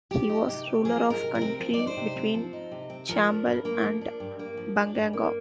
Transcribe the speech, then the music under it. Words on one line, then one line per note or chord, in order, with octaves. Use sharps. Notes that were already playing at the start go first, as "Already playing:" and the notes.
He was ruler of country between Chambal and Banganga.
F3 G4
D#4
C3 G4
C4
F3 G#4
D#4
A#4
C3
A#4
C4
F3 C5
D5
D#4
C5
C3
C4
F3
D#4
C3
C4
F3 A#4
D4
G2
A#3
F3
D4
G2
A#3
F3
D4
G2
A#3